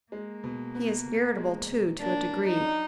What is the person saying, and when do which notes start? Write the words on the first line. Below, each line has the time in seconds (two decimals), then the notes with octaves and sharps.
He is irritable, too, to a degree.
0.12 G#3 A#3
0.44 B2
0.75 B3
1.06 B2
1.38 G#3
1.69 B2
2.01 A#3 D4
2.32 F#3
2.49 D#4
2.64 D4